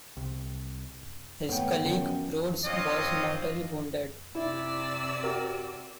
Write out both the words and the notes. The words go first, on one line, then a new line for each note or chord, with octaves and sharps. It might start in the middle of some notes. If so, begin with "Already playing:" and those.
His colleague Rodes was mortally wounded.
C2
G#1 A3 B3 C#5 G5
F#2 D#3 F3 C#4
C4 D4 F4 C#5 D#5
C3 E4 D5 E6
F#4 G4 A#4